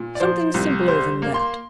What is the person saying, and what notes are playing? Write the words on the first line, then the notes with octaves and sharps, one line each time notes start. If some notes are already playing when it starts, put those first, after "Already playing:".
Something simpler than that.
Already playing: A#2
D5
F3 C5
C2
G3 C5
A#3
C6